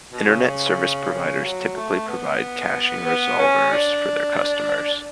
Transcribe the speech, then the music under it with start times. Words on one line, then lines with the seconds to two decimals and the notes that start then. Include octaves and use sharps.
Internet service providers typically provide caching resolvers for their customers.
0.11 B2
0.27 C#3
0.43 C#3
1.10 C#3
1.42 F#3
1.75 A3
2.08 B3
3.06 B3
3.39 C#4
3.71 D4